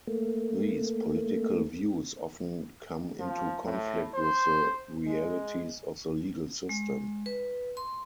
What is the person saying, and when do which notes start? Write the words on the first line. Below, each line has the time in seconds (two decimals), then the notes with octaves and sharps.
These political views often come into conflict with the realities of the legal system.
0.07 A3 A#3
3.19 F3
3.65 A2
4.14 C5
5.06 G#3
6.69 G#3
7.26 B4
7.77 C6